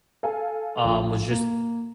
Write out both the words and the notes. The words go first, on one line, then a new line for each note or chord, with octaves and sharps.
um, was just
A4 F5 G#5
A#1
A#3